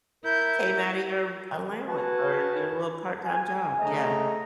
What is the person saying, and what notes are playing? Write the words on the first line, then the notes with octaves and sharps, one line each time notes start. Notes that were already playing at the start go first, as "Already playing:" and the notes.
came out of your allowance, or your little part time job, yeah.
E4 A#4 G6
F#4 B4 G#5 A5
G#5
C#3 A3 D#5 A#5